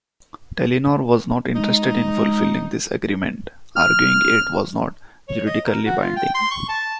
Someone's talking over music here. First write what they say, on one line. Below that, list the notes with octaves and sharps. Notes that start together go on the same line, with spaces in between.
Telenor was not interested in fulfilling this agreement, arguing it was not juridically binding.
G#3 D#4
F6
C#5
D#5
A#4
F#4
F4
G5
C6
C#6
A5